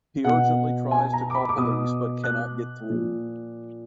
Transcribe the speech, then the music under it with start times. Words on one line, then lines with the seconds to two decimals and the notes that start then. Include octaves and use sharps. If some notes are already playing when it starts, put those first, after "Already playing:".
He urgently tries to call police but cannot get through.
0.24 B2 F#5
0.91 G#5
1.13 A#5
1.30 D6
1.34 B5
1.49 D6
1.57 B2 D#6
2.24 F#6
2.89 A#2 F3